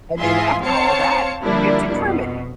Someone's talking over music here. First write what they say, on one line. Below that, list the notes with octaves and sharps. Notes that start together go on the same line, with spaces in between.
And then, after all that, you get to trim it.
G#2 E3 F4 G#4 E5 C6
C4 C5 C#5 F5 A5 C#7
D3 F3 G3 A#3 D4 E4
F2 B2